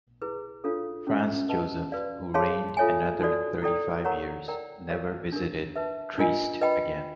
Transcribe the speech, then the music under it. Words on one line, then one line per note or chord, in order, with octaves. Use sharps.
Franz Joseph, who reigned another thirty-five years, never visited Trieste again.
E4 G#4 B4
D4 F4 A4 C#5 F5
C#4 E4 G4 C5 E5
G4 B4 D#5 F#5 A5
F#4 B4 D5 F5
G#4 C#5 F5 A5 C6
F4 A4 C#5 E5 G#5
D#4 F#4 A4 D5
E4 A4 D5 G5
A#4 C#5 F#5 A#5 C#6
A#4 D5 G5 A#5
G4 A#4 C#5 F5
D4 G4 A#4
B4 E5 A5
D4 F4 A#4 D#5 G#5
B4 D#5 G5 B5